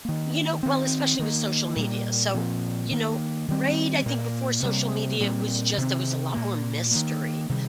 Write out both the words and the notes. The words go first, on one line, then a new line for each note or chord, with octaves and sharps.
you know well, especially with social media. So, you know Right? I think before social media, it was just there was a lot more mystery
D#3 A#3
D#3 C4
D#3 A#3
A#2 G3 A#3
A#2 F3 C4
D#3 A#3
D#3 G3 C4
A#2 A#3
C3 G3 A#3
A#2 G3 C4
C3 D#3 C4
A#2 A#3
D#3 A#3
C3 D#3 G3